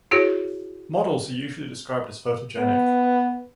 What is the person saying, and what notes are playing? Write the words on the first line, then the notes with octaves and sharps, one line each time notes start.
Models are usually described as photogenic.
E4 F#4 G#4 C#5
B3